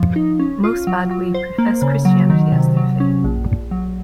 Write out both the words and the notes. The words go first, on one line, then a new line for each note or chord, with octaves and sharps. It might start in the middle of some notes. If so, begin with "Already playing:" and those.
Most Badwe'e profess Christianity as their faith.
Already playing: F3
D#4
C#4
F4
F#3
F#3
C5
A#3
C#3
F#3
D#3
C3
F#3
C#4
A#1
A#1
F#3